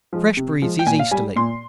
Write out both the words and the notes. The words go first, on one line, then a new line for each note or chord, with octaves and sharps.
Fresh breezes easterly.
F3 G#3
C3
F3 G#3
G5
A#2 G#5
F5
G3 G#5
A#2 C6